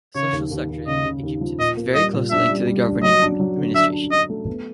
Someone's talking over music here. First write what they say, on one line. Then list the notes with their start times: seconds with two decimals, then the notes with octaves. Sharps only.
The social structure in Aegyptus is very closely linked to the governing administration.
0.15 C#3 C#5
0.33 D#2
0.51 D#2
0.69 D#2
0.87 C#3 D#5
1.05 C#3
1.23 D#2
1.41 F3
1.59 A#2 D#5
1.77 A#3
1.95 G3 D#5
2.13 A#2
2.31 D4 E5
2.49 G3
2.67 G3
2.85 D4
3.03 F#3 D#5
3.22 D4
3.40 F#3
3.57 D3
3.75 D4 E5
3.93 D4
4.11 D4 D#5
4.30 A3
4.47 B3